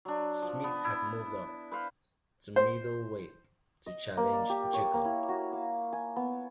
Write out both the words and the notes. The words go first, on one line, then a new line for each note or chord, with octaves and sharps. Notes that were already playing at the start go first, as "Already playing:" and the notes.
Smith had moved up to Middleweight to challenge Jacobs.
F#3 D4
F3
B3
E4
B4 C5 F5
C5
D#5
A#3
D5
G4
C#5
A#3
E4
F#4
F5
G#5
B3